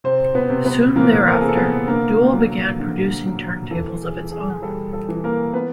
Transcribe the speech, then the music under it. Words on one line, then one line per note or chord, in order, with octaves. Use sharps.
Soon thereafter, Dual began producing turntables of its own.
C3 C4 C5
B3 B4
C3
B3 B4
E3 A#3 A#4
A#4
A4
C3 G#4
A4
B3 B4
D3 A#3 A#4
F#3
D3
F#3
E3 A4
G#4
E3
G#4
G3 A4
A4
E3
A#3 A#4
B3 B4